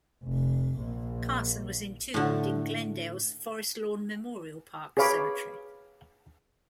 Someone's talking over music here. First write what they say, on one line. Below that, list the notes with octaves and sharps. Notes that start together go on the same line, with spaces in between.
Carson was entombed in Glendale's Forest Lawn Memorial Park Cemetery.
F1
A#1
A2 D3
G#4 B4 C#5 F5 B5 D6